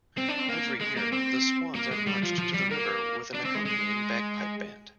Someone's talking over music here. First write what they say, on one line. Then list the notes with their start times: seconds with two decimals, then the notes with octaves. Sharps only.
Every year, the swans are marched to the river with an accompanying bagpipe band.
0.18 C4
0.29 D4
0.39 C4
0.49 A#3
0.81 G#3
0.97 A#3
1.13 C4
1.75 A#3
1.91 G#3
2.07 G3
2.23 F3
2.38 F3
2.54 G3
2.71 A#3
3.34 D4
3.45 C4
3.55 G#3
3.65 G#3